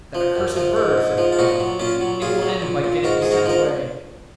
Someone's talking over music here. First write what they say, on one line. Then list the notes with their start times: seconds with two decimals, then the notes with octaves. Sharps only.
'That accursed bird,' said the Cook; 'it will end by getting me sent away.
0.15 F3
0.36 F#2
0.56 F3
0.76 G#2
0.98 G#2
1.18 F3
1.32 F4
1.39 A#2 D#4 F#4
1.60 F#3
1.80 A#2 C#4 F4
2.01 F#3
2.22 A#2 F4 G#4
2.42 F#3
2.62 A#2
2.84 A#2
3.04 G#2 F#4 A#4
3.22 G#2 G#4
3.31 F#4 A#4
3.46 F3 A#4